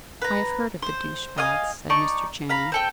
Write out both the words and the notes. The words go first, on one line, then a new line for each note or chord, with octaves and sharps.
"I have heard of the douche baths," said Mr. Channing.
B4 A#5
C5
D#5 F5 G#5 D#6
D#4 D5 A5 C#6
F5 A#5 B5
C4 A4 G5